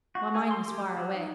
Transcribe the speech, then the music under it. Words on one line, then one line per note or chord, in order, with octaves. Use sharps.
My mind was far away.
F#4
G#4
C6
G4
F#3
D#4